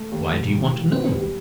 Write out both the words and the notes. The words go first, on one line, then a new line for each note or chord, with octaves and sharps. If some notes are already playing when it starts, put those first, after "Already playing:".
"Why do you want to know?"
Already playing: A3
D#2
E1
D#3
D#3
B3 C4
G3